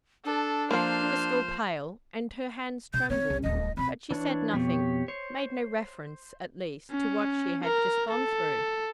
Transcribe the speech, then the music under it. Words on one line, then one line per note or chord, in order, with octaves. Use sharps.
She was still pale, and her hands trembled, but she said nothing, made no reference, at least, to what she had just gone through.
D4 A4
F3 A#3 C5 F5
C3 G6
C4 D#4 C#5
C2 C#3
D1 C2 D#5
C3 C4 B5
E3 D4 C#5
F2 B2 G4 C#5
C5 C#5
C#4
A#4
A4